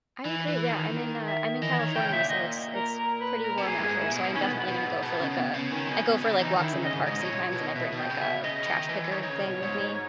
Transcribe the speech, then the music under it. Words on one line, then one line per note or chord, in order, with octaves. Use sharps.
I agree, yeah, I'm in, uh I'm in California, so it's it's pretty warm out here. So I am definitely gonna go for, like a I go for, like, walks in the park sometimes and I bring like a trash picker thing with me.
E3
E3
D#3
E5
E3 D#5
D#3 C#5
C#3 G5
G5
A#2 E5
D#5
A#4
A#4
B4
A#4
B2
A#2 G#4
G2 G#4
G#2
E4
B2
D#3 C#4
B3
B2
B3
B2
G#2
B2
C#3
C#3
B2
C#3
D#3 C#4
B2
B2
C#3
E3 D#4
D#3
E4
C#3
D#5
G#2
G#2 D#5
B2 C#5
A#2
C#5
B2
D#5
B2 E5
B2
G5
C#3
E5
B2
C#3 D#5
D#3
E3
E3
D#3 C#5
D#3
C#3
B2
A#2
G#2